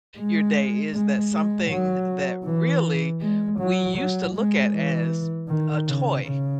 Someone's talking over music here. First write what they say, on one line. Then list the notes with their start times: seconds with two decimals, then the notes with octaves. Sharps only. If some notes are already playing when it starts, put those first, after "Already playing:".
your day, is that something that really we used to look at as a toy,
0.19 G#3
0.94 G#3
1.33 G#3
1.70 F#3
2.46 E3
3.22 G#3
3.59 F#3
3.97 F#3
4.35 G#3
4.73 E3
5.49 D#3
5.87 C#3
6.25 C#3